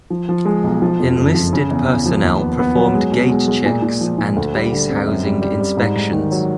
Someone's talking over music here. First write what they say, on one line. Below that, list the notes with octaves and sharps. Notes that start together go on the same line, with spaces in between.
Enlisted personnel performed gate checks and base housing inspections.
F3
F3
G#3
B1
F3
F2
F#1
F3
C#3
E2
E2
F3
D#2
B3
B3
F#3
G#3
B2
G#3
G#3
A#2
A#2
F3
A#2
D2
G3
D3
C4
F#2
G3
G3
G3
G#2
G#2
D#3
F#3